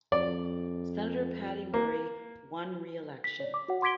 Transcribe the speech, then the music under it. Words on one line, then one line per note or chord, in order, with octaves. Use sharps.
Senator Patty Murray won re-election.
F2 D5
A#3
B6
C#5 D5
D6
F#4 C#5 F#5
C6 D6 G#6 B6 D7 G7